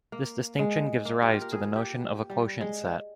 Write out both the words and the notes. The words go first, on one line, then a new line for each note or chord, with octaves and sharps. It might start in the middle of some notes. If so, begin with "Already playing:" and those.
This distinction gives rise to the notion of a quotient set.
A#3
G#3
A#3
G4
F4
A#4
G#4
G4
G3
G#3